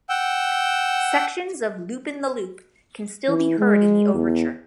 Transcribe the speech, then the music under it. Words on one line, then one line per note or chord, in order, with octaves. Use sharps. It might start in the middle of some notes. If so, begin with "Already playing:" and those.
Sections of "Loopin' the Loop" can still be heard in the Overture.
F#5 G5 E6
E3
G#3
E2